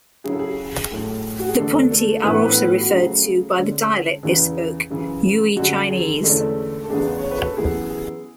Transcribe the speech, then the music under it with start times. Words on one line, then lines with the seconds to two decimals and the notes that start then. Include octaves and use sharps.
The Punti are also referred to by the dialect they spoke, Yue Chinese.
0.24 C#3 F#3 C#4 E4 G#4
0.33 A4
0.39 G#4
0.91 A2 F#3 A3 E4
1.39 F#4
1.48 G#4
1.57 E2 D3 A3 D4 A4
1.91 A3 A4
2.24 A2 E3 A3 B3 E4 B4
2.46 B3 B4
2.80 F#4
2.90 C#3 F#3 A3 G#4
3.57 D3 G#3 C#4
4.23 E2 C#3 E3
4.90 F#2 C#3 E3
5.57 F#2 D3 G#3 F#4
5.90 G#4
6.23 E2 D3 G#3 A3 C#4 E4 A4
6.84 A4
6.90 E2 C#3 G#3 B3 D4 G#4
7.18 C#5
7.31 B4
7.44 A4
7.57 F#2 E3 B3 E4 G#4
7.90 G#4